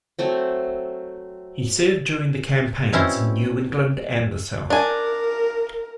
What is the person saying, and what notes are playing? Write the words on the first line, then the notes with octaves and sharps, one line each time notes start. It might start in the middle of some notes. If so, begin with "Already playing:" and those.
He served during campaigns in New England and the South.
F#3 A3 C4
B2 C4 C#4 E4 C5
D4 A#4 G#5